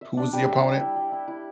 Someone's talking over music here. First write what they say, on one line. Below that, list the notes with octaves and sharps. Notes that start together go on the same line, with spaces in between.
who was the opponent?
E5
D4
G3
E5
G3
E4
G3
E4
E4